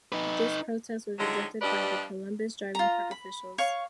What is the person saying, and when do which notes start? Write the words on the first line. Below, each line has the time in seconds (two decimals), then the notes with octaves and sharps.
This protest was rejected by the Columbus Driving Park officials.
0.12 D#4 B4
1.19 D3 D#3 F3 F#3 G#3 G#4
1.62 G2 F3 G3 B4 D5 D#5
2.75 F4 A#5
3.11 B5
3.58 C#5 F5 C#6